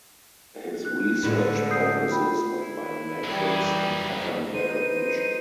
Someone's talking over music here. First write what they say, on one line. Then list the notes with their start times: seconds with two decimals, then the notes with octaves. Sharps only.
His research focuses on biometrics and pattern recognition.
0.85 F#6
1.23 A2 D3 G#3
1.71 D#6 G6 C7
2.12 F4 G5 B5
2.58 E4
3.24 E3 F#3 G3 G#4
4.54 D#4 B4 C5 D#7